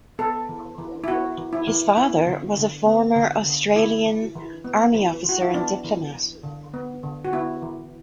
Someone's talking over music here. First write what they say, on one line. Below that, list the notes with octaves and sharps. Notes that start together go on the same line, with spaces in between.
His father was a former Australian Army officer and diplomat.
B3 A4
E3
E3
E4
B3 F#4
E3
E4
E3
B3 E4
D3
D3
B3
D3
D3
A3 E4
E3
E3
B3
E3
E3 F#4
E4
B3 D4
E3
E3
D3
B3
D3
F#4
B3 E4
E3